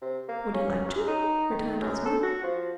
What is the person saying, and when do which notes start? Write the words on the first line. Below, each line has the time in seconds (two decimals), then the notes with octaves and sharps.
"Would you like to?" returned Ozma.
0.02 C3
0.28 A#3
0.54 C#4
0.88 F#2
1.07 D#4
1.51 D#3
1.81 F#2
2.06 A4
2.23 F#4
2.43 F3